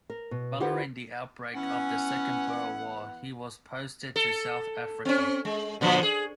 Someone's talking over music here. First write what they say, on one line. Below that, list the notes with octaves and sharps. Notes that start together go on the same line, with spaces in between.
Following the outbreak of the Second Boer War he was posted to South Africa.
A#4
B2
E4 F4 G4 B4 C5 F#5
E3 B3 C#4 F#5
A4
C4 C#4
G#3
A#2 D3 F3
G#4